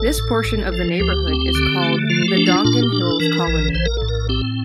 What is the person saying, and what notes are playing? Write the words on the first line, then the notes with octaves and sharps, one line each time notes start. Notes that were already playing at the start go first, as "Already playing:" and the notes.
This portion of the neighborhood is called, the Dongan Hills Colony.
Already playing: A1 A4
A2
A1
F3
D2 G4
C4
D3
A3
F3 F4
G4
D4
F4
A#2 F4
G4
D4
A4
E3 A#4
A#1
A#1 C5
A#4
A2 A4
A#4
C4 G4